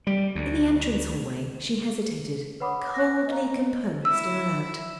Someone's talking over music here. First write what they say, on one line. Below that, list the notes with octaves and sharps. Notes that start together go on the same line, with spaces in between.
In the entrance hallway she hesitated, coldly composed and alert.
G3
D2
B4 C#5 F#5 B5 D6 D#6
F#6 A#6
D#5 F5 A#5
E4 E5 E6